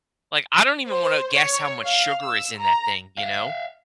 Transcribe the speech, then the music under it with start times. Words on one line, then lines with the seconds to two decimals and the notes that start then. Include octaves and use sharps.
like, I don't even wanna guess how much sugar is in that thing, you know?
0.88 C5
1.33 C#5
1.84 F5
2.23 E6
2.59 A#5
3.18 E5 F5